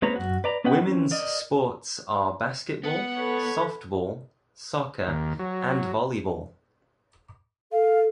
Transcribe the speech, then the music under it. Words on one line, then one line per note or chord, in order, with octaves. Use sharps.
Women's sports are basketball, softball, soccer, and volleyball.
G#3 A#3 C4 B4 C#5 A#5
F#2 F#4
B4 D5 A#5
B3 C#4 B4 D#5 F#5 G5
E3 C4 C#4
A#4 D5 D#5
B3 F#5
A4 B4 C#5
D#2
F#3
A4 F5